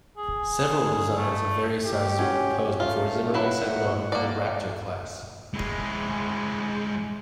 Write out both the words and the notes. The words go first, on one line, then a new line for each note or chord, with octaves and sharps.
Several designs of various sizes were proposed before Zimmerman settled on the "Raptor"-class.
G#4
A3
G4
C#4 F#4
A3 F4
F#3 E4 B4 F#5
A#3 D5
G#3 E4